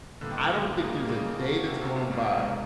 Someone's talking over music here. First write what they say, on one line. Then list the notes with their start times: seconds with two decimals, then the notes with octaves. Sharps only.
I don't think there's a day that's gone by
0.21 A#2 D3 G3 B3
0.31 D#3
0.40 D3
0.79 A#2 C#3 G3 A#3 D#4
1.09 C#3
1.38 F#3 A#3 D4 F#4
1.67 C3
1.82 C3
1.96 C3 F#3 A#3 D4
2.11 B2
2.25 G#2